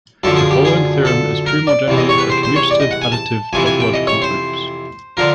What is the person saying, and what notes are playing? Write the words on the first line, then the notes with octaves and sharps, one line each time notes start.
The following theorem is true more generally for commutative additive topological groups.
F#2 D3 F3 A4
G#4
G4
G#4
A4
A#4
D5
E2 C3 E3
D#5
C#5
B4
C5
C5
C#5
D5
D#5
F#5
G#5
A5
F2 C3 E3 G#5
G#5
G5
D#5
C#5
C5
D3 F3 A#4